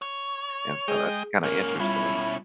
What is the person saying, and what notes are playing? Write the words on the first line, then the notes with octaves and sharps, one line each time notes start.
And so that's kinda interesting.
C#5
G#3 G#4 D#5 G5
G#2 A#3 C#4 A#4
B2 G3 E4 F4 B5